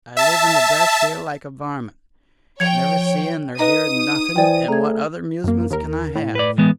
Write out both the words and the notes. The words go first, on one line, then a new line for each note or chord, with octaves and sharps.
I live in the bresh here like a varmint, never seein' nor hearin' nothin', and what other 'musement kin I have?
E5 A5
F3 C#5 G5 G#6 C#7 F7
D#4 B4 D#5 A#5 D#6
D#4
E3 C5 D5 G5 G#5
A3 G#4 A#5 G#6
F#2 A#3
D#2 A#4
A2
B4 D5
E3 G#3 B3